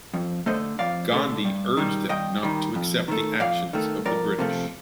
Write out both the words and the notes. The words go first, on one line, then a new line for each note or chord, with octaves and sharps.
Gandhi urged them not to accept the actions of the British.
F2
D3 A3 C5 D#5
F2 D5 F5
D3 A3
G2
D#3 G3
G2 D#5 G5
D#3 G3
F2
D#3 A3
F2 D5 F5
D#3 A3
F2 A#4 D5
C3 F3 A3